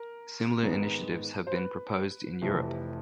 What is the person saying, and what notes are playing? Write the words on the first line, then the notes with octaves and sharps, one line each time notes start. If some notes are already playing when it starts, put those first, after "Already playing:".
Similar initiatives have been proposed in Europe.
Already playing: A#4
G#2 D#3 G#3 B3
C5
B4
F1 F2 C3 E3